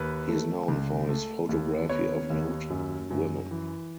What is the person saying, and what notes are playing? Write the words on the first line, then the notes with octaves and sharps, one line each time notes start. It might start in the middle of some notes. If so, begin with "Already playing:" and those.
He is known for his photography of nude women.
Already playing: D#2 B4
A3
C#2
A3
D#2
B3 C#5
D#2
F#2
F#2
E3